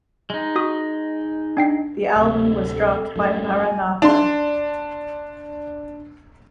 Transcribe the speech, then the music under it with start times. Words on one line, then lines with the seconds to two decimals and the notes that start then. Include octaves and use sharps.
The album was dropped by Maranatha!
0.30 G#3 D#4
0.56 F#4 D#6
1.57 D4 G5 C7
2.16 D1 C3 A4
3.16 F#2 A2
3.59 G#5
4.02 D4 C6